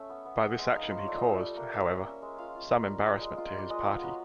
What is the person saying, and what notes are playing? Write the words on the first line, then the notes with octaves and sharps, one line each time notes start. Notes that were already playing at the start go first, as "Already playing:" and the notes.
By this action he caused, however, some embarrassment to his party.
Already playing: A3 C#4 E5
B3
B3
B3
G#3
D#4 F5
B4
F3 C5
C#5
A3 D5
D#5
A3
E5
G3
A#3
A#3 E5
A#3
C#4
G#3
F4 F5
F4
A#3
G3
G#3
G#3
F4
G3
D5
G#3 D#5
B3 F5
F#3 B4